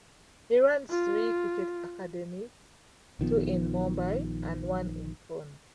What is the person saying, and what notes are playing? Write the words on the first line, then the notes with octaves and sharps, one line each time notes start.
He runs three cricket academies, two in Mumbai and one in Pune.
F4
A#1 D#3 F3 B3